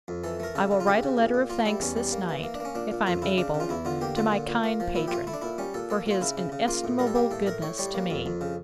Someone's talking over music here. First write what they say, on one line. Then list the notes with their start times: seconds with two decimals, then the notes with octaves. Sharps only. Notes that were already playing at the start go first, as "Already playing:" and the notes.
I will write a letter of thanks this night, if I am able, to my kind patron, for his inestimable goodness to me.
0.08 F2
0.24 E3 A4
0.40 A3 A#4
0.55 C#3 A4
0.71 C#3
0.80 F4
0.87 C#3 G4
1.03 C#3
1.18 A#2
1.34 A#2
1.50 A#3 F4
1.65 G3 E4
1.81 E2 C#4
1.96 G3
2.12 A#3
2.29 E3
2.43 A#3
2.55 D4
2.60 A#3 C#4
2.75 A#2 D4
2.91 A#2
3.07 F2 F4
3.22 C#3 E4
3.38 C#3 D4
3.54 C#3
3.60 F4
3.69 E2 E4
3.85 D3 F4
4.01 A#3 G4
4.16 D3 F4
4.32 A#2
4.48 A#2
4.64 A#3
4.80 F3
4.95 A#2 E4
5.08 G4
5.11 A3 F4
5.27 A3 E4
5.34 D4
5.42 A#2 E4
5.58 G3 C#4
5.74 A#2 A4
5.90 A#3 A4
6.06 A#2 F4
6.21 C#3 E4
6.37 C#3
6.52 C#3
6.68 A#3 F4
6.84 A2
6.99 G3 A#4
7.07 A4
7.15 A#3 G4
7.31 A2 A4
7.46 A2 A#4
7.62 A2 C#5
7.78 G3 C#5
7.94 A#3
8.10 F2
8.26 F2
8.41 C#3